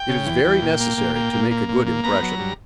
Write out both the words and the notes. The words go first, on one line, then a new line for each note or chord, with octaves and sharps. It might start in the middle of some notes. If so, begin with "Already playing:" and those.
It is very necessary to make a good impression.
Already playing: G5
C#3
E2
E2
A#2
A#3
A#2
A#3
A#2
A#3
A#2
A#3
B3 A#5
F#3
G2